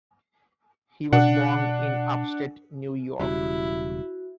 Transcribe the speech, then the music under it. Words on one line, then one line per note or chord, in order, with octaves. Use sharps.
He was born in Upstate New York.
B2 D4 F#5
E1 C#3 G3 E4 F#4